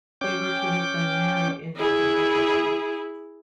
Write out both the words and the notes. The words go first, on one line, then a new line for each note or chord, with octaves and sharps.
They were to have been married in Northern Ireland.
C#4 G5 D6
E4 G#4